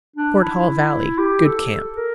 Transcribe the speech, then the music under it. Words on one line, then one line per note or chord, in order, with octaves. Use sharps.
Fort Hall Valley.--Good camp.
D4
E4
G4
A4
A4
A#4